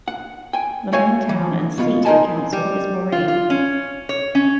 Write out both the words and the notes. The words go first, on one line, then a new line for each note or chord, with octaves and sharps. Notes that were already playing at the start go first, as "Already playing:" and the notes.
The main town and seat of Council is Moree.
F#5
G5 G#5
A3 F#4 C#5 F5 G#5
E3
B2 B3 F4
G#3 D#4 A#4 D#5 G#5 A5
G3
F4
F4
C#4
C#5
C#4